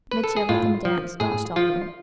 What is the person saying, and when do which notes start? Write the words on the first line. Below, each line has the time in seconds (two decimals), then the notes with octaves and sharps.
Mitya, let them dance, don't stop them.
0.11 B4
0.24 A4
0.36 G#4
0.49 A2 F4
0.85 F3
1.20 A2 G#4
1.56 F3 F4